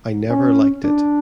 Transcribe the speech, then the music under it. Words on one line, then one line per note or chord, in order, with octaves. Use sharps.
I never liked it.
C#4
D4